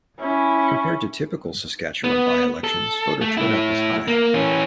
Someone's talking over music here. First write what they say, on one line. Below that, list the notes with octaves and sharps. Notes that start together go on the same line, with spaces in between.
Compared to typical Saskatchewan by-elections, voter turnout was high.
C#4 E4
B3
A4
A3
A3 E4
A#3
E3 C#4